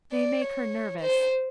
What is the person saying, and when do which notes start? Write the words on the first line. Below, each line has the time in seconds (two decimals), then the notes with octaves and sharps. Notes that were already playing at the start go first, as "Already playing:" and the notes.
They make her nervous.
0.12 D5
0.41 C#5
1.00 C5